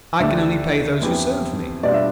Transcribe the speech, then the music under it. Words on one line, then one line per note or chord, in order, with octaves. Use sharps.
I can only pay those who serve me.'
D2 D3 A3 D4 G4 E5
F2 E3 B3 E4 G4
B2 G3 D4 F4 D5
E5